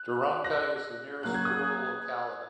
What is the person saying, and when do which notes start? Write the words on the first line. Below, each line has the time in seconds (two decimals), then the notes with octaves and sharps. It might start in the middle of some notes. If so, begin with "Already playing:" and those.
Dragunka is the nearest rural locality.
Already playing: F#6
0.44 F#6 A#6
1.23 C#3 F#3 A#3 C#4 F#6
1.34 G#6
1.45 D#6 F#6